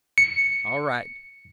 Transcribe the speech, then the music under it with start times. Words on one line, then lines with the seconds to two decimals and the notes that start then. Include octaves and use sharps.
All right.
0.18 C#7